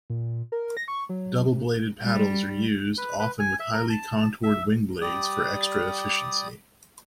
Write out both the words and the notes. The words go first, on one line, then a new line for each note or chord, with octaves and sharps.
Double-bladed paddles are used, often with highly contoured wing blades for extra efficiency.
A#2
A#4
A#6
C#6
F#3
C3
G3
B4
B4
G#5
E5
A#4
A5
E5
G3 G4 D5 D#6